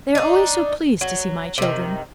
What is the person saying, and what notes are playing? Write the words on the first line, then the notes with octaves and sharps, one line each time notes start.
They are always so pleased to see my children.
D4 D#4
F#3
C3 D#3